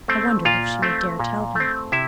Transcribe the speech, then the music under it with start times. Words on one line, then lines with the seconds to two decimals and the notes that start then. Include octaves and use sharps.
I wondered if she would dare tell him.
0.08 A3 C4
0.45 A#2 F4 F5
0.82 A3 C4
1.19 A#2
1.55 A3 C4
1.92 C3 E4 E5